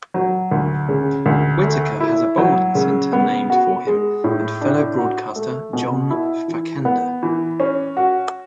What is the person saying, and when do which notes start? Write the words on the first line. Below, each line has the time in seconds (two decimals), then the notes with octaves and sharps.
Whitaker has a bowling center named for him and fellow broadcaster John Facenda.
0.14 F#3
0.51 D2
0.89 C#3
1.26 D2
1.64 A3
2.00 E4
2.38 F#3
2.75 C#3
3.13 B3
3.50 F#4
3.87 G#3
4.24 A2
4.61 D4
4.98 F#4
5.36 A3
5.73 B2
6.10 E4
6.48 E3
6.85 B3
7.23 E3
7.60 C#4
7.97 F#4